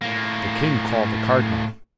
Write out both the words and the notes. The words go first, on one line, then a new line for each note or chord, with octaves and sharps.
The king called the cardinal.
A2 A#3